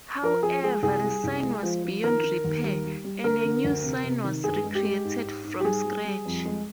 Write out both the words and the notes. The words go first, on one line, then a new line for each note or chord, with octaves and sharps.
However, the sign was beyond repair and a new sign was recreated from scratch.
F3 A#4
F3 G#4
G#3 G#4
C2 G#4
G3
C2
G#3
F3
F3
D#3 A#4
D#3
D#2
G3
G3
G3
D3 A#4
D3
D2
C3
C3
D#3
G2 G#4
G#3
G4
G#3
G#2
G#2
G#2
G4
G3 G#4
G3
G3
F2
G#3